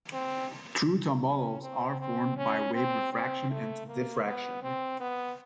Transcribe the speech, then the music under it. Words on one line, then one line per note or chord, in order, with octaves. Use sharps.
True tombolos are formed by wave refraction and diffraction.
C4
C#4
C4
C4
C#4
C4
C4
A3
A#3
B3
C4
B3